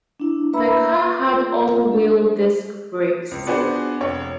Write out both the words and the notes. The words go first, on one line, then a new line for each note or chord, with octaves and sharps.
The car had all wheel disc brakes.
D4 E4
A#3 B4 E5 A#5 B5 E6
F4
D4 A4
C5
C#2
B3 D4 F#4 G#4 C5
F1 C#5